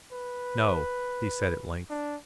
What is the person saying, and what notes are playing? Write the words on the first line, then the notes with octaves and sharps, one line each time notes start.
"No," he said at length.
B4
D4